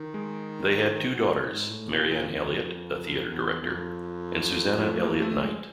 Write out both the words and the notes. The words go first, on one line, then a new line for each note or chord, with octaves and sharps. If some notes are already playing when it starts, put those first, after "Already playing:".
They had two daughters - Marianne Elliott, a theatre director, and Susannah Elliott-Knight.
Already playing: D#3
G#3
D#3
B2
G#2
A2
A#2
A#2
E2
F2
E2
E2
F2
G#3
A3
A#3
A3
G#3